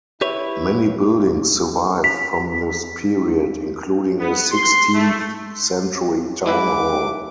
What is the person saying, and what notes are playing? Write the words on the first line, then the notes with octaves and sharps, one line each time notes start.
Many buildings survive from this period, including a sixteenth-century town hall.
E4 G4 B4 C#5
B6
B3
C6
A3
G#3 E4 B4 D6